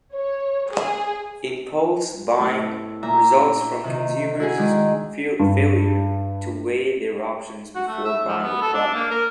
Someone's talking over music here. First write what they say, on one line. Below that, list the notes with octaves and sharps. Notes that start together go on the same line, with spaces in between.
Impulse buying results from consumers' failure to weigh their options before buying a product.
C#5
G#4
A2 B3 E4
A#2 E5 A#5
C3 D#3
E4 F#4 G#4
D#3 G#3 D4
G2
F#4
A3
E5
F3
B3
A4
D4
A#3
A#4